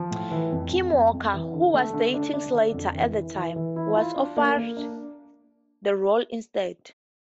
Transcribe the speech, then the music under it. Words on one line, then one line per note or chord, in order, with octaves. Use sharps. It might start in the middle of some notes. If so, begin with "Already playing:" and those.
Kim Walker, who was dating Slater at the time, was offered the role instead.
Already playing: F3
A2
E3
F2
F2
F2
F2
E3
D3
A3
D3
D4
D4
D3
F2
E3
E3
E3
E3
E4
F4
D4
A#3
A#3
D4